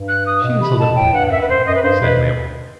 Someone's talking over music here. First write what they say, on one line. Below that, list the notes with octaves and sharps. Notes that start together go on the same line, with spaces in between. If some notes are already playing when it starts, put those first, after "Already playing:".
"She is a little better, I think," said Mabel.
Already playing: G2
F#6
D#6
B2
C3 B5
B2 A5
A2 G5
G2 F#5
F#5
F#2 E5
B4
C5
F#2 D#5
B4
G2 C5
B2 B4